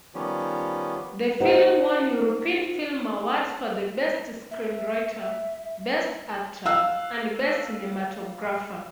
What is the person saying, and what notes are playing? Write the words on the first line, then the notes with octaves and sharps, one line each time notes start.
The film won European Film Awards for Best Screenwriter, Best Actor, and Best Cinematographer.
D#3 F3 G3 B3 C#4
D#4 G4 C5 F#5
E5
F5 E6 F#6